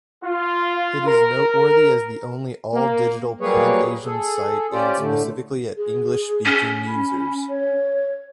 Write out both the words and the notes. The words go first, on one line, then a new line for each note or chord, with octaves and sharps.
It is noteworthy as the only all-digital, pan-Asian site aimed specifically at English-speaking users.
F4
A#4
A#3
F#3 G3 A#3 G#4 B4 C#5
G#4 A4
C#4 F4 G4 C5 D5
A2 D3 A3
G#4
C#4
B5
C#5